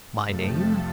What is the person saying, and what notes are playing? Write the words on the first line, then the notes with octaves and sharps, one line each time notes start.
"My name?"
F2 C3 F3 A3 A4